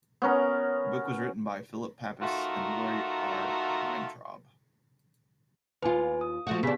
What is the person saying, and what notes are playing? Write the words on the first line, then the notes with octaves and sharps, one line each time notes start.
The book was written by Phillip Papas and Lori R. Weintrob.
B3 C#4 A#4
A3 D#4 F4 F#4 A4 A#4
D#2 F4 B4 G#5
D#6
F3 A3 F#4
C#3 B3 D4 G4 B6